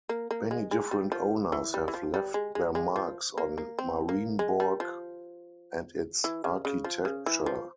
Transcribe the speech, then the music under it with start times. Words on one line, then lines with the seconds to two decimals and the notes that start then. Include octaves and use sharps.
Many different owners have left their marks on Marienborg and its architecture.
0.09 A#3
0.31 A#3
0.51 G#3
0.71 G#3
0.91 G3
1.12 F3
1.52 E3
1.74 G3
1.88 E3
1.94 F3
2.14 G3
2.34 G#3
2.55 G#3
2.75 G#3
2.96 F3
3.38 A#3
3.58 A#3
3.79 C4
4.09 A#3
4.39 G#3
4.60 G3
4.80 F3
6.24 E3
6.44 C#3
6.65 C#3
6.84 F3
7.05 C#3
7.26 E3
7.46 F3